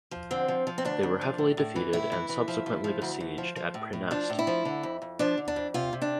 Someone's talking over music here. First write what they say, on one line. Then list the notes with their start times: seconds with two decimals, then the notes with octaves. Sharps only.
They were heavily defeated and subsequently besieged at Praeneste.
0.11 F3
0.31 D3 C4
0.48 F3
0.67 F3
0.78 C4
0.85 D2 D4
1.03 D2
1.21 F3
1.38 A2
1.57 A2
1.76 E3
1.93 A2 E4
2.12 E3
2.29 E3
2.48 F3
2.66 F3
2.84 F3
3.02 D2
3.20 D2
3.38 F3
3.56 F3
3.74 A2
3.93 A2
4.11 F3 D4
4.30 A2
4.39 E4
4.47 F3
4.65 D3
4.83 F2
5.02 F2
5.19 F3 D4
5.38 D3
5.48 D4
5.56 F2
5.74 C3 F4
5.93 C3
6.02 D4